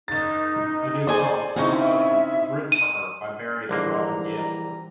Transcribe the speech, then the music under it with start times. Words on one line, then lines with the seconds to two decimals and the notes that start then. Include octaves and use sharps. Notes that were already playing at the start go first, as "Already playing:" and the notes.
A new song, "Emotion", was written for her by Barry and Robin Gibb.
0.08 F#1 D#4 A6
1.07 G#4 A4 C5 D5 G#5
1.56 C#3 C4 C#4 D#4 E4 C#6
1.78 E5
2.72 D#7
3.69 A#1 D3 E3 G3 A#3 A#5